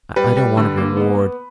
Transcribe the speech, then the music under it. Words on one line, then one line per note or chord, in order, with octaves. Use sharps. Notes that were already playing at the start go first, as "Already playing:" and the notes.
I don't want a reward...
G3 B4
G3
D3
A#3
B3
B3